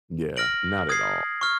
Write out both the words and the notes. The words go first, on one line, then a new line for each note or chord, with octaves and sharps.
Yeah, not at all.
F6 A#6 D7 F#7
D#6 G#6 C7
C#6 F6